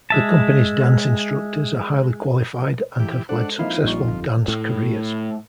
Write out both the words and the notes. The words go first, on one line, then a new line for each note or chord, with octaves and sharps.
The company's dance instructors are highly qualified and have led successful dance careers.
G#3 E5 A5
E3 G4
G#3 D4 A4 C5 F#5
F3 A#3 C4 D#4 E4 F5
A#1 A#2 F#3 G3 D#4 C#6
G1 F2 F4
A2